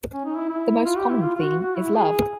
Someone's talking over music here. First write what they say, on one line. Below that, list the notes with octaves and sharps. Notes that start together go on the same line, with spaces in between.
The most common theme is love.
C#4
D#4
E4
E4
F4
G4
E4
F4
F4
F#4
F#4
E4
G#4